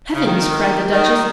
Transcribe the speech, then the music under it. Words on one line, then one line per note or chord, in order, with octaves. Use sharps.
"Heavens!" cried the Duchess.
C#3
D#3
D#3